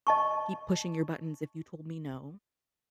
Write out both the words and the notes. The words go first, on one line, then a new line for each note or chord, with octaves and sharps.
keep pushing your buttons if you told me "no."
D#5 A5 C#6